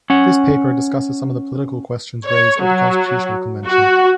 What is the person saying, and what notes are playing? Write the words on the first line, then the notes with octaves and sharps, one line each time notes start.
This paper discusses some of the political questions raised at the constitutional convention.
C#4 F#5
C#5
F#3
F#4